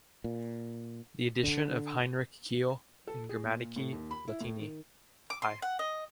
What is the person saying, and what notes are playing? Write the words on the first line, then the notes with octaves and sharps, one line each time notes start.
The edition of Heinrich Keil, in "Grammatici Latini", i.
A#2
D3
A4
G#4
A#2
A2
D#2
B5
E4
A2
D#3
D6
C6
F#5
D#5